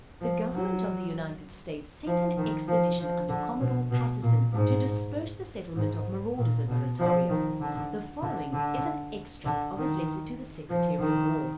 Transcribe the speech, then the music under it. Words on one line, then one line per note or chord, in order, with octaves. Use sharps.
The government of the United States sent an expedition under Commodore Patterson, to disperse the settlement of marauders at Barrataria; the following is an extract of his letter to the secretary of war.
F3
F#3
F3
D#3
F3
F3
D3
B2
B2
A#2
G#2
G#2
A#2
B2
F3
D#3
D3
D3
D3
D3
D#3
F3
D#3